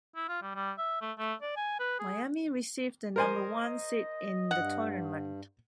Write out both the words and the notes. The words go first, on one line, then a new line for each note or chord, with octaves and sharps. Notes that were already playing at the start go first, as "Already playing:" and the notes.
Miami received the number one seed in the tournament.
E4
F4
G3
G3
E5
A3
A3
D5
G#5
B4
G#4
A#4 C5 D#5 G#5
G2 F#5